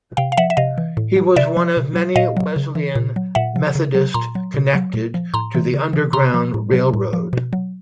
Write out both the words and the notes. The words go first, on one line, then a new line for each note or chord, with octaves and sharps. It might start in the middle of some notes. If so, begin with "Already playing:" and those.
He was one of many Wesleyan Methodist connected to the Underground Railroad.
C3 F5 G5
F5
F3 E5 F#5
E5
C3 D#5 F5
E3
A2
F#3
C3 D5 E5
F3
B2
F#3
A#2 D#5 F5
F#3
C#3
E3
A#2
F#3
A#2 E5 F#5
F3
C#3
F#3
A#2 A#5 C6
F#3
B2
F#3
A#2
F3
A2 A#5 C6
E3
C#3
E3
C3 A#5 C6
F3
A2
F#3
A2
F3
B2
F#3